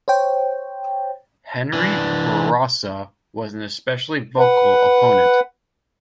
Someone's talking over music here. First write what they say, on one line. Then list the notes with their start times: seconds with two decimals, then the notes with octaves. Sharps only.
Henri Bourassa was an especially vocal opponent.
0.08 C5 C#5 G5
1.73 E3 D4
4.39 B4 F#5